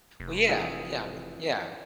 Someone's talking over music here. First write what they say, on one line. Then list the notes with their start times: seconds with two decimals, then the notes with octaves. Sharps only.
Well, yeah, yeah, I mean yeah.
0.20 F1
0.47 F2 E3 G#4